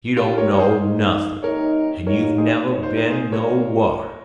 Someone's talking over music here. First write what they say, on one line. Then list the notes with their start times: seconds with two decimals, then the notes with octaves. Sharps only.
You don't know nothin', and you've never been nowhars.
0.17 F3 A#3 D#4 F4 G4
0.38 A#4 C#5
0.53 C#5
0.58 G#4 C5
0.80 A#2 G#3 D#4
1.43 C3 D#3 A#3 D#4 A#4 C#5
2.06 G#2 D#3 A#3 D#4 G4 A#4 C#5
2.38 G#4 C5
2.70 G2 F3 A#3 D#4 C#5
2.83 C5
2.97 A#4
3.10 G#4 C5
3.32 D#3 G3 A#3 F4 A#4 C#5